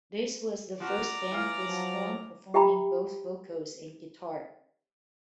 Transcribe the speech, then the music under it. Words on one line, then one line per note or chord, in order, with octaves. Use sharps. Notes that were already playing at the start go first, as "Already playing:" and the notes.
This was the first band with Horne performing both vocals and guitar.
F3 F#4 D5 A#5
E3 F4 F5
F3 F#3
G4 E5 G5 A#5 B5